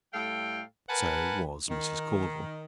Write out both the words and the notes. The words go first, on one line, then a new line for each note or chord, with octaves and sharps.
So was Mrs. Caudle.
A2 G3 A4 F5 G5
A#4 B4 F#5 G#5 A5 B5
D#3